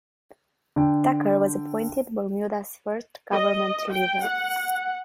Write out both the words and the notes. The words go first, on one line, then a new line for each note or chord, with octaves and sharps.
Tucker was appointed Bermuda’s first Government Leader.
D3 G5
D#5
G5
F#5